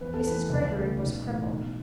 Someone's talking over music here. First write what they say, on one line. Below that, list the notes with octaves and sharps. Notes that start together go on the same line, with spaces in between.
Mrs. Greggory was a cripple.
E2 B4
A4
E3 B3 B4
C#2
C#3 A3
B1
A2 E3
B1